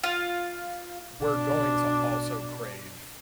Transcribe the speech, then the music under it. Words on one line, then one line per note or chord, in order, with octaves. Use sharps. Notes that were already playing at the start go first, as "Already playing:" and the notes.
we're going to also crave
F4
B2 D4